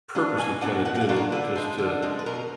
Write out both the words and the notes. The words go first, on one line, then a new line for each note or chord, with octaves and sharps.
purposely kinda did it just to
F#3 D4 F4
B2 G#5
F#3 D4 F4 F#5
B2 F#5
F#5
F5
F#3 D4 F4
A#4
D3 B4
F3 G#3
D3
F3 G#3
B4
B2 A#4